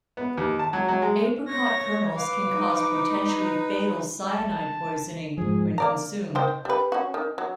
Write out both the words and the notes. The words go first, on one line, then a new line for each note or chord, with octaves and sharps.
Apricot kernels can cause potentially fatal cyanide poisoning when consumed.
B3
D#2
A5
F#3
F#3
G#3
C#5 A#6
B4 F5 D6
D#4
A5
G#2 F3 G#4
A#3 D5 A#5
D#3 C5 G5
G3 B4
C#4 F#4
D#3
F#3